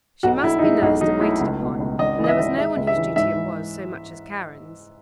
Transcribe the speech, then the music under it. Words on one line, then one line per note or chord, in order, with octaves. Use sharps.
She must be nursed and waited upon, and there was no one whose duty it was so much as Karen's.
B1 F#4
B1 E4
D#4
G#3 E4
B1 D#4
F#3 D#4
A3 E4
C#2
B2
C#2
G#1 D#5
E3
D#5
E5
G#1
G#3 E5
C#2
E5
E3
G#2 E5
E3